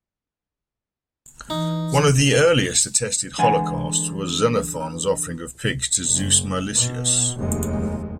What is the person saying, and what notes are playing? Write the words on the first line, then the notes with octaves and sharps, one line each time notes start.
One of the earliest attested holocausts was Xenophon's offering of pigs to Zeus Meilichius.
E3 D#4
D3 E3 G#3 F#5 G#5
F#1
B2
F1 D#2 G#3